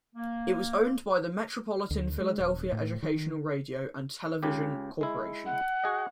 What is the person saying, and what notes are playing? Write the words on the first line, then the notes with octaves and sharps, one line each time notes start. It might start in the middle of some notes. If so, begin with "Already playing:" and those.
It was owned by the Metropolitan Philadelphia Educational Radio and Television Corporation.
A#3
D2
G#3
D#1
A2
D#3
C#2 C#3 G4
G#3 E4
F#5
F#4 G#4 D#5